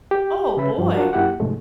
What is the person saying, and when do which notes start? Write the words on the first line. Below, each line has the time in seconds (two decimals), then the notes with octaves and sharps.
Oh, boy.
0.11 G4
0.57 C#3 B4 E5 B5
0.78 G2 F3
0.93 D4 F4 F#4 A#4 F#5
1.13 F#2 A#3 E4 G4 F#5
1.40 F2 G#2 C3 G#3 A3